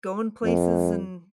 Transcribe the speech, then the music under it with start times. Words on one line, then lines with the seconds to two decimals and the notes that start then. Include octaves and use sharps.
going places and,
0.44 F2